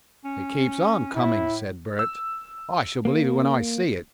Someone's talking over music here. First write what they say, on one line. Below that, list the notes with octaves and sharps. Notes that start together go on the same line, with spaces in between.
"It keeps ON coming," said Bert; "I shall believe when I see it."
C#4
A2 E4
E6
A#3